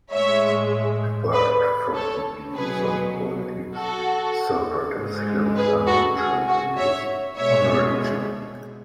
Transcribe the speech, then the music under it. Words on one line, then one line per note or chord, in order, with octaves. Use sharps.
Apart from his views on politics, Socrates held unusual views on religion.
A2 G#3 C#5 E5
B4 D5
A4 C#5
B2 F#3 G#4 B4
F#4 A4
G#2 G#3
G#4 B4
F#4 A4
G#4
F#4
C#5 E5
B2 G#3 C#5 E5